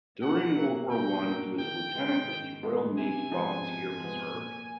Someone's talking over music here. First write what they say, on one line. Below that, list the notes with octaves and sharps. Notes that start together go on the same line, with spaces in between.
During World War One he was a lieutenant in the Royal Navy Volunteer Reserve.
B2 F#5
F#3 A#3
B2 G5
F#3 A#3
D#3 G5
G#3 B3
D#3
G#3 B3
C3 G#5
F3 G#3 B3
C3
F3 G#3 B3
A#2